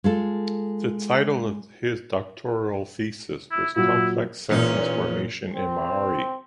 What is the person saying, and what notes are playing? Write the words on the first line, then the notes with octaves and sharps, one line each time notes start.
The title of his doctoral thesis was "Complex sentence formation in Maori".
G#3 F4 A4
E4
A#2 F#3 E4
E2 A#2 C#4 D#4
C4